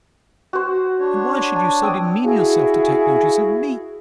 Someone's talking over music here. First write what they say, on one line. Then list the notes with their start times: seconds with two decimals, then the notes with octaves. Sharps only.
And why should you so demean yourself to take notice of me?
0.53 F#4 C5
0.99 D4 C#5
1.56 A5
1.82 C4 D5 D#6
2.24 E4 F#4 G#4 F5